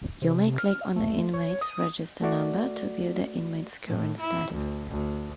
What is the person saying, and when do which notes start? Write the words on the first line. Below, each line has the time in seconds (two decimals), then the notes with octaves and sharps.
You may click on the inmate's Register Number to view the inmate's current status.
0.22 C3
0.58 F6
0.96 A3
1.33 C#5
1.61 D#6
2.22 A3 F#4 D5
3.87 A2
4.21 E4
4.54 D2
4.91 D2